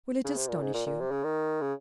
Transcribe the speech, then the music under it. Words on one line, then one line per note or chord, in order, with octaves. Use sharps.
Will it astonish you?
C#3
C3
A#2
G#2
A#2
A#2
C3
C#3
D#3
C#3